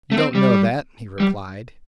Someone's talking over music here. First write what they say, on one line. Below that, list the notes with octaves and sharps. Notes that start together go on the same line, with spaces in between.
"You don't know that," he replied.
A3
C4
G3
G3